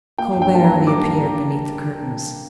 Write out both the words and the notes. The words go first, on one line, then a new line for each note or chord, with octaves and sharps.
Colbert reappeared beneath the curtains.
A#3 G5
G2
G5
A#3 A5
A#5
G2
G2 D6
G2